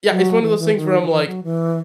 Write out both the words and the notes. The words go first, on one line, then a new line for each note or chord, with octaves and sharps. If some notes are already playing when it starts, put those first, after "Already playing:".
Yeah, it's one of those things where I'm like,
F#3
E3
E3
D#3
D#3
E3
F#3
E3